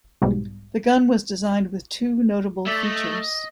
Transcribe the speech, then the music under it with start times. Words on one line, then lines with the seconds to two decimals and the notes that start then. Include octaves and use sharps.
The gun was designed with two notable features.
0.22 B1 G#2 B2 G3
2.66 A3 D5 E5
2.84 D#5